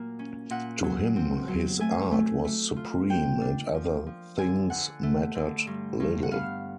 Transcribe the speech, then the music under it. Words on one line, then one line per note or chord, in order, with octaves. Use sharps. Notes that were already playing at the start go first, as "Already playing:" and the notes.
To him his art was supreme and other things mattered little.
Already playing: A#2 F#3 A#3
C#4
A#2 F#5
F#3
C4
F#3
A3 G#5
A3
A3
F4
A#3 G5
D4
F3
F3
D3 G#5
D3 F#5
A3
D3
G2
G2
F#5
B3 F5